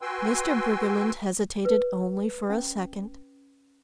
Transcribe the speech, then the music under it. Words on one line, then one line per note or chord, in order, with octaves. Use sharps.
Mr. Briggerland hesitated only for a second.
F#4 B4 G5 G#5 C6 E6
B4
C#4